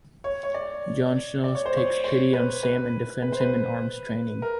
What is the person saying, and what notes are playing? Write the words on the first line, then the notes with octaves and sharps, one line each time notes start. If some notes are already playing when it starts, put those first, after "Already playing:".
Jon Snow takes pity on Sam and defends him in arms training.
C#5
C#5
D5
D5
C#5
C5
C#5
C5
B4
B4
B4
C5
B4
A#4